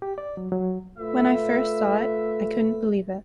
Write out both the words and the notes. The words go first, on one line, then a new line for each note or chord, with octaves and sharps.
When I first saw it I couldn't believe it.
G4
D5
F#3
F#3
A3 F4 B4 E5